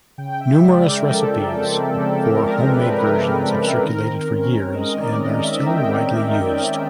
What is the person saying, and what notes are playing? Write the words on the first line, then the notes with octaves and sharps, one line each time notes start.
Numerous recipes for homemade versions have circulated for years and are still widely used.
C#3 G5
E5
G#3 D5
A#4
F3 A4
A4
C4 A4
A4
C#3 A4
A#4
G#3 A#4
B4
F3 A#4
C4
D#3 A#4
C#4
G#3 D#5
D5
D#3 D#5
E5
D#3 G5